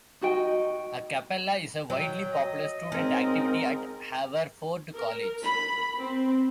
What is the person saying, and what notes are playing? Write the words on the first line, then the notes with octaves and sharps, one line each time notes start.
A cappella is a widely popular student activity at Haverford College.
D#4 F#4 D#5 G5
F#3 G5
D#5
G#2 C4 C#4 A#4
A#4
B5
C4